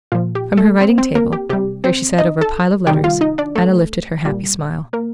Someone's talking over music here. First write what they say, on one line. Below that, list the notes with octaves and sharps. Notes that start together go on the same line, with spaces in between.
From her writing-table, where she sat over a pile of letters, Anna lifted her happy smile.
A#2 F3 F4
G4
A3 A4
C4 C5
C4 C5
A#3 A#4
G4
C3 G3 G4
C4 C5
D#4 D#5
A4 A5
C3 D#3 G3 G4 G5
F4 F5
D#4 D#5
D4 D5
A3 A4
A#2 G3
A#3 A#4